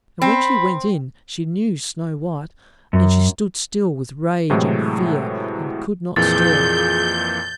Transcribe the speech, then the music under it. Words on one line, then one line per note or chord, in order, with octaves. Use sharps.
And when she went in she knew Snow-white; and she stood still with rage and fear, and could not stir.
C4 B5
F#2
A2 C3 E3 F#3 G#3 A3
F2 A#2 E3 G#4 G6 A6